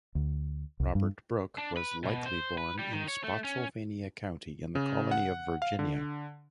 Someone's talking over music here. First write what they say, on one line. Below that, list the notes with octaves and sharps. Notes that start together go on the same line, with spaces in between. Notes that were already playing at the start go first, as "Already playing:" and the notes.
Robert Brooke was likely born in Spotsylvania County in the Colony of Virginia.
D2
C2
G2
D4
B4
B2
C5
B4
G3
D#3
C#5
A3
C#4
C#3
F#5
F5
D3